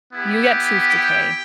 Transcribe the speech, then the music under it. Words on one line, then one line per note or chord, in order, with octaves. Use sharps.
you get tooth decay
B3 E4 G4
G5